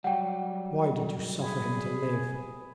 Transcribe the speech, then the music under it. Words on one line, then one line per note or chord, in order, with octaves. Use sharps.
"Why did you suffer him to live?"
F#3 G3 F#5 G5
G#4 G#5 B5